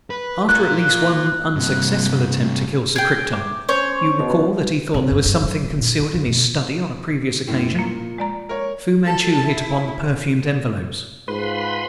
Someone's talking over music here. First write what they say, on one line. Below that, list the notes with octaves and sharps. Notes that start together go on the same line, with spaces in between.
After at least one unsuccessful attempt to kill Sir Crichton--you recall that he thought there was something concealed in his study on a previous occasion?--Fu-Manchu hit upon the perfumed envelopes.
B4
F4 A#4 F#6
G2 C3
G#4 G5
D6
C#4 C5 C#5
B2
C3
G2
G2
F#3
E1
A#2
D#4
D#3
B2
F#2 A2
A#2 F3 A#3
G#3 D5 A#5
A#4 C#5
A4 A5
E4
G#2 F4 B4 B5 C6